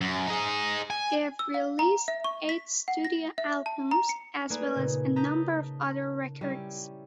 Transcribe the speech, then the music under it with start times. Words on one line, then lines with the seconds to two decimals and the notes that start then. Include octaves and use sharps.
They have released eight studio albums, as well as a number of other records.
0.01 F#2
0.27 D#4 G#4
0.90 G#5
1.39 E6
1.54 F5
1.79 A#5
2.08 E5
2.24 C#6
2.49 B6
2.88 F#5
3.05 A#6
3.38 E5
3.66 A5
3.91 A#5
4.09 C#7
4.50 A3 A#3 D#4 B4 D5 G#5
4.75 A#2 C#3
5.16 A5 A#5 D#6 G6 B6
6.41 G3 C#4 E4 G4